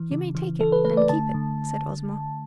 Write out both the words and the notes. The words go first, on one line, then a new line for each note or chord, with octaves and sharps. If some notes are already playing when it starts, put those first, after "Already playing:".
"You may take it and keep it," said Ozma.
Already playing: E3
C#3
E3
E3 A4
B4
A3 B4
D5
D3 A5
D3